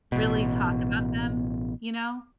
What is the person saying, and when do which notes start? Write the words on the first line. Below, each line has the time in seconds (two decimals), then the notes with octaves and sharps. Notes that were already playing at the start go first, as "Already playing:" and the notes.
really talk about them, you know?
0.12 A1 B2